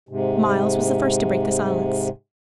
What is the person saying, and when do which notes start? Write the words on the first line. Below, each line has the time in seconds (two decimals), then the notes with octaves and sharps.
Myles was the first to break the silence.
0.09 G#2 C3